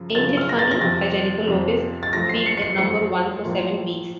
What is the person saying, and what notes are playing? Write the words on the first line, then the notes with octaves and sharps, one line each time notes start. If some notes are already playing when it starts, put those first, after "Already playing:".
"Ain't It Funny" by Jennifer Lopez peaked at number one for seven weeks.
Already playing: F#2 C#3 F3
F#2 C#3 F3 A6
F6
A#6
A6
A#6
F2 C3 F3 A6
F2 C3 F3
A6
F#2 F3 A3 A#6
C7
C#7
C#7
C7
F#2 F3 A3 C#7
A2 F3 A#3 F4